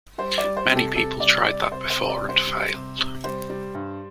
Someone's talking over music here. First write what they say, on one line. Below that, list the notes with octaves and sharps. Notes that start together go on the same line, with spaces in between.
Many people tried that before and failed.
G3 C5
D5
G3
C5
C3 G4
A4
C3 A4
G3 D5
G3 D5
C3 C5
C5
C3
D5
G3
C5
G3
C3
C3
G3 C5
G3
G2